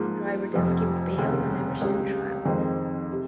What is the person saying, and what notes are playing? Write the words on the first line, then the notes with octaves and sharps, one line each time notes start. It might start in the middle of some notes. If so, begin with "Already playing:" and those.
The driver then skipped bail and never stood trial.
Already playing: G#2 F3 A#3
F1 F2 C3 F3
F1 D#2 C#3
C#2 C#3 G3
F2 D#3 G#3 C4
C3